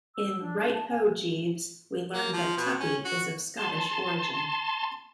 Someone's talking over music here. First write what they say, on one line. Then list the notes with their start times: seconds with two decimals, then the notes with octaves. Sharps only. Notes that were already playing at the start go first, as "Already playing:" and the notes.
In "Right Ho, Jeeves", we learn that Tuppy is of Scottish origin.
0.16 E6
0.40 D4
0.74 A5
0.89 G#5
2.14 A#3
2.33 F3
2.57 B2
2.80 C#4
3.05 F#4
3.57 A5 C6